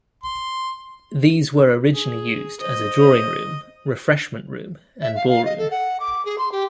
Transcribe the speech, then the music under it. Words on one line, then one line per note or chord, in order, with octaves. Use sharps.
These were originally used as a drawing room, refreshment room and ballroom.
C6
G#4
C5 D#5
E5
F5
F5
D#5
A4
F#5
D6
G#4
C6
G4